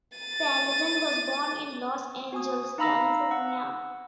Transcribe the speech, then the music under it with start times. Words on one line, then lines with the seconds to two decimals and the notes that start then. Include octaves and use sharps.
Frazen was born in Los Angeles, California.
0.18 A6 D#7
2.32 F#4 G#5 D#6
2.78 D#4 F5 A#5 B5 E6 A#6
3.31 F#5 E6